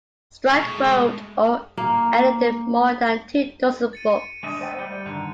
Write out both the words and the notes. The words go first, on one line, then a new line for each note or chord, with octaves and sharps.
Stryk wrote or edited more than two dozen books.
B2 G#3 A3
A#3
A6 C#7 D#7
A6 D#7
G#3 D4 D#5
A3 B3 C5 D#5 G5
G3 D5 C#7
G2 D3 D#3